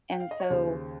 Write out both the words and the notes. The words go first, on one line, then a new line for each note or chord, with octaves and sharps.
and so
G5
F5
D#5
C#5
D#2 C#3 C5